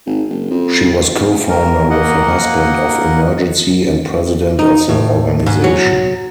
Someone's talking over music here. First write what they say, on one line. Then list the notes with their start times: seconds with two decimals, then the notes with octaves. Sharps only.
She was co-founder with her husband of Emergency and president of the organization.
0.06 G#1
0.29 F#1
0.50 F2
1.49 A#4
1.90 A#3 A#4 D#5 F#5
4.59 D#4
4.89 A2
5.46 G#2
5.64 F#3